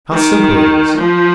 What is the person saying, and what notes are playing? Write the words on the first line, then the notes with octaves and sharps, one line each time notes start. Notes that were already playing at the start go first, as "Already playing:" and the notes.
How simple it is.
D#3
F3